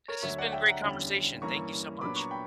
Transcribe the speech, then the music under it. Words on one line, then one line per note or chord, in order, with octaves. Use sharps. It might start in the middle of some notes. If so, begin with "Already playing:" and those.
This has been a great conversation. Thank you so much.
A#4 C#5
D2 D3 F#3 C#5 E5
D5 F#5
E5 G5
F#5 A#5
E2 D3 G3 C#4
G2 E3 A#3 C#4 A#5 C#6
A#2 F#3 B3 D4 B5 D6
A#5 C#6
G5 B5